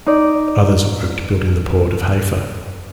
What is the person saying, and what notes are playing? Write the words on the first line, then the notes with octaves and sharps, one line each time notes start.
Others worked building the Port of Haifa.
D#4 D5